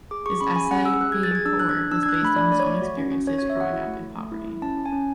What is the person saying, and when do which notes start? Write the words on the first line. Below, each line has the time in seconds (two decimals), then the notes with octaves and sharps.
His essay "Being Poor" was based on his own experiences growing up in poverty.
0.11 G#4 D6
0.26 G#4 C#6
0.41 C#4 B5
0.56 G#4 G#5
0.71 C#4 F#5
0.85 G#4 E6
1.01 G#4 F#6
1.12 G#6
1.16 G#4
1.23 A6
1.31 G#4 G#6
1.46 D4 E6
1.60 D4 F#6
1.69 G#6
1.76 D4
1.91 D4 E6
2.03 G#6
2.06 D4 F#6
2.14 G#6
2.22 A3 B5
2.36 D4 D5
2.52 A3 D5
2.60 C#5
2.67 A3
2.82 F#4
2.97 C#4
3.11 C#4
3.27 C#4 C#5
3.38 C#5
3.42 F#4
3.50 E5
3.57 F#4 F#5
3.72 E4
3.87 A3
4.02 A3
4.18 A3
4.32 E4
4.47 E4
4.62 C#4 A5
4.77 C#4
4.86 G#5
4.92 C#4